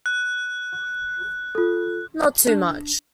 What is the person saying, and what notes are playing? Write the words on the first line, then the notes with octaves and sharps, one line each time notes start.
Not too much.
F#6
F4 A4
D4